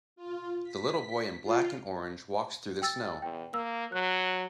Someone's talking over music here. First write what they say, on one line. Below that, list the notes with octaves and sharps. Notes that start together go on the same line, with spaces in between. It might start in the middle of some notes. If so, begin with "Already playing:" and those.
The little boy in black and orange walks through the snow.
F4
B6
F4
G5 E6 A6
E2 G5
A#3 E6
F#3 F#6